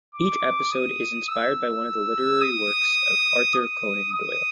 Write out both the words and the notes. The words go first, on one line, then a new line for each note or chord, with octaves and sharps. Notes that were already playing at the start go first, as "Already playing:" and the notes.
Each episode is inspired by one of the literary works of Arthur Conan Doyle.
D6
D#6
E6
D#6
D#6
D#6